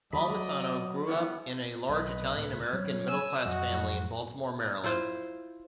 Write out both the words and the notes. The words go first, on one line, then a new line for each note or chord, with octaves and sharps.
Palmisano grew up in a large Italian-American middle class family in Baltimore, Maryland.
D#2 F#3 D5 D#5 B5
G3 B3 E4 C#5
B1 B4 D#5
C#2 A2 C3
F#3 G3 C#4 C#5
G#5 E6
F2 F#3 F#4 D#5
E4 F4 C5